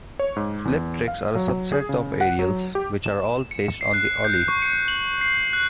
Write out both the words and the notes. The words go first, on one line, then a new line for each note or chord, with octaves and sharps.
"Flip tricks" are a subset of aerials which are all based on the ollie.
C#5
G#2
E2
F5
F#3
G#4
C#3
F#5
F#3
G4
E7
C#7
C7
F#6
G6
C#6
C#7
F#7
C7
F#6